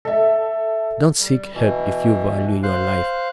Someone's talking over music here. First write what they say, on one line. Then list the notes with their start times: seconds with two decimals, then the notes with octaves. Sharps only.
"Don't seek help if you value your life."
0.05 A4 E5
1.20 G3
1.54 B2 E3
2.63 C5 F5 F#6